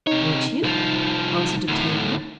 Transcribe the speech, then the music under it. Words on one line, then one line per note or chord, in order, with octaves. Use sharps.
"Would you?" answered Octavia.
C3 D#4 C#5
C2 F3
D2 A2